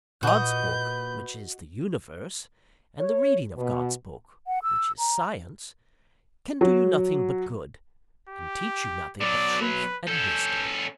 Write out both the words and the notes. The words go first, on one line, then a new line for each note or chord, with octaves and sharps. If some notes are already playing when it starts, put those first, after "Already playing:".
God's Book, which is the Universe, and the reading of God's Book, which is Science, can do you nothing but good, and teach you nothing but truth and wisdom.
A#2 F#4 B4 D#5 G6
C#5
B2
F#5
E6
A#5
F#3
G4
B2 F#3 D5
B4
C#4 A4 G6